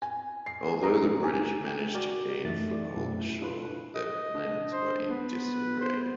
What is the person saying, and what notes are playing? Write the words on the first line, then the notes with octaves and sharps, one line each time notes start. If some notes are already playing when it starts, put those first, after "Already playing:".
Although the British managed to gain a foothold ashore, their plans were in disarray.
G#5
C7
A#5
G#5
G5
F#4 A#4 D5
F#2 E3 A3 D#4 A6
D5
F#2 B2 A3 E4
D4 E4 F4 A4 B4
D#5
D4
C5
B3 B4
C5